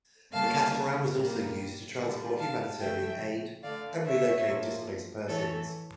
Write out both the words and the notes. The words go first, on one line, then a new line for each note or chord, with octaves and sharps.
The catamaran was also used to transport humanitarian aid, and relocate displaced persons.
C#3 G3 A#3 F5 A5
A#2 G3 A#3
D3 G3 A#3
F5 A5
C#3 F3 A3 E5 G5
D3 A3 D5 F5
C#5 E5
A#2 F3 A#3
A2 E3 A3 A4 C#5